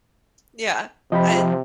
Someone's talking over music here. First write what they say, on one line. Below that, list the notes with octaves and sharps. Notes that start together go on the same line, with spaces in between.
Yeah. I'd
C3 F3 D#5 G5 B5